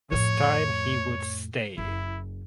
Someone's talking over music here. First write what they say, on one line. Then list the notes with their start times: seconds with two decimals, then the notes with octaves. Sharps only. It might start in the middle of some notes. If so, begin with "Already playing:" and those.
This time he would stay.
0.12 F2 A2 C#5
1.78 F#1 E4